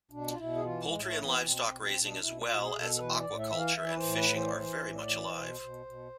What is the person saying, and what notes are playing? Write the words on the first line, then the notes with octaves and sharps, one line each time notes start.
Poultry and livestock raising as well as aquaculture and fishing are very much alive.
B2 D4
F4
B2 E4
G#4
E3 F4
G#3
A2
A3
E3
B3
B2 C4
C4
B2
C4
B2
D4
B2 E4
F4
B2
G#4
B2
A4
A4
E3 B4
E5
D5
A2
E5
E3 E5
F5
E3 E5
B4
C5
A2
B4
E3
C5
D5
E3 C5
A2
D5
E3
B2 C5
B2
B2